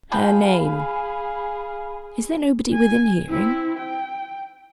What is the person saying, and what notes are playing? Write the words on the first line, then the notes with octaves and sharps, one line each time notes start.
Her name--is there nobody within hearing?'
F3 G#4 B4 F5 G5 G#5 B5
G#5
C4 E4
G5